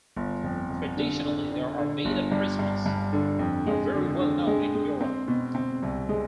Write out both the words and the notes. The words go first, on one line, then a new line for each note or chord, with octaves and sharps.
Traditionally, they are made at Christmas, are very well known in Europe.
G1
F2
F2
D3
D3
D3
D3
G1
G2
G2
G2
D3
F2
G#3
D3
D3
G#3
G#3
C4
B2
C4
C2
G#3